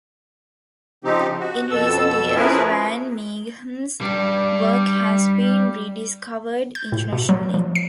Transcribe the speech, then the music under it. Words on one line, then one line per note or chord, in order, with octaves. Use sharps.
In recent years Van Mieghem's work has been rediscovered internationally.
C#3 F3 C4 D#4 G4
F#4
F2 B2 A4 E6
F3 C#4 E4 G#4 A#4 B4
G3 D4
G6
A2
B2
F#3
F3
C7